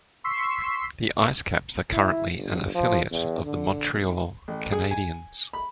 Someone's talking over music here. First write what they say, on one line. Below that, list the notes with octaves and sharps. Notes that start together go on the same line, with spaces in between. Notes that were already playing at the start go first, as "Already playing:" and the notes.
The IceCaps are currently an affiliate of the Montreal Canadiens.
C6 C#6 E6 B6 C7
E4
G1
F3
E2
D3
B1
A1
G#4
G#5
B5